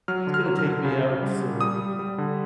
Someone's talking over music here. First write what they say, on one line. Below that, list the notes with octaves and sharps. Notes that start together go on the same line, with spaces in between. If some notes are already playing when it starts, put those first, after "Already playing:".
it's gonna take me out so
F#3 F6
D3
F6
F#3
F6
D3
C#3
C#3
G3
G3
G3 D#6
G3
G3
D3